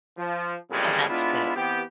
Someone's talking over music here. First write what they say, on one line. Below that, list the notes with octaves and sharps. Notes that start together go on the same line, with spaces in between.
Oh, that's good.
F3
A1 F2 A#2 C#3 G3 G#3
G#3 B3 D4 E4 F4
E3 B3 C4 G4